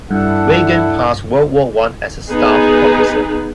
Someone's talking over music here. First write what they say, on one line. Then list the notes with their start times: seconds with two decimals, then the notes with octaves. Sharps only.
Weygand passed World War One as a staff officer.
0.11 G2 D4 E4 A4 F#5
2.30 B3 D#4 G#4 B4